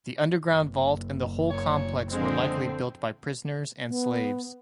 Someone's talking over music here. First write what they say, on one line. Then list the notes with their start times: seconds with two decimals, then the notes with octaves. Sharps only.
The underground vault and the whole complex were likely built by prisoners and slaves.
0.47 F#1
1.49 A#2 C#5
2.10 D3 F3 G#3 C4
3.87 B3